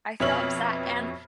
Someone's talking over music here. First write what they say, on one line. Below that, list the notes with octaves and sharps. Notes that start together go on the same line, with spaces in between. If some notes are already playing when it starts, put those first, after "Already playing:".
I feel upset and
F2 B2 C#5 E5 F6 F#7